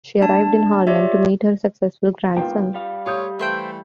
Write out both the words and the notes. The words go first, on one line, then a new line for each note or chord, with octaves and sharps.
She arrived in Harlem to meet her successful grandson.
A3 D4 A5
F4 G4 C#5 D5 E5
E2 G#2 A#3 F4 B4 G5
G3 F5
A3 F4 G4 C#5 D#6 G6
E3 A3 E4 C5 G5